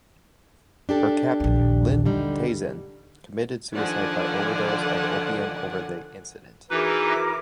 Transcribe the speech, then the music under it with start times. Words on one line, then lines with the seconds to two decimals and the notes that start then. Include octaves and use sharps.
Her captain, Lin Taizeng, committed suicide by overdose of opium over the incident.
0.89 D4 G4 A4
1.40 A#1 D#2
2.05 D3 G3 D#4
3.74 D3 D#3 F3 D5 F#5 G#5
6.70 E3 D#4 E4 F#4 G#4 A#4 B4 D6